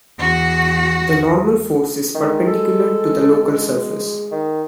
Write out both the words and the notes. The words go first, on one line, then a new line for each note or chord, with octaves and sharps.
The normal force is perpendicular to the local surface.
E2 F#4
D#3 G#3
A4
D#3